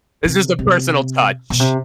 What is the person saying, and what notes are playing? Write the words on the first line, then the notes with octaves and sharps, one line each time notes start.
It's just a personal touch.
C3
C3
B2
C3